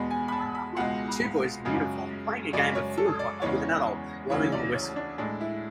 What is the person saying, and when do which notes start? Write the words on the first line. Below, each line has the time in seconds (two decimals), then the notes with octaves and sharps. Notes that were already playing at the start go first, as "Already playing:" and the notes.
Two boys in uniform playing a game of field hockey with an adult blowing on a whistle.
Already playing: E2 B2 G#3 B5
0.11 G#5
0.28 B5
0.32 A5
0.55 B5
0.76 C#2 B2 G#3 F#5
1.65 F#2 C#3 G#3
2.53 F#2 C#3 G#3 D5
2.75 C#5
2.97 A4
3.19 D5
3.42 E2 C#3 E3 G#3 C#5
4.30 D2 C#3 E3 C#5
4.52 D5
4.74 C#5
4.96 D4
5.18 A2 G#3 D4
5.41 E4